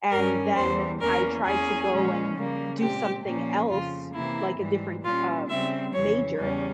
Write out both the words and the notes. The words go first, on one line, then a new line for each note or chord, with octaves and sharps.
And then I tried to go and do something else, like a different, um, major,
G2 G3 C#4 A#4
E2 E3 G3 C5
E2 E3 A#3 C#4 A#4
E2 E3 A#3 C#4 G#4
A#2 F3 G#3 C#4
C#3 G3 A#3
A#2 G#3 C4 G4
A#2 F3 A#3 C#4
F2 C#3 F3 F4
C3 E3 A#3 E4
G#2 E3 G3
A#2 G3 C#4 F4
C#3 G3 C4 E5
F2 C#3 E3 C#5
E2 C#3 G3 C#4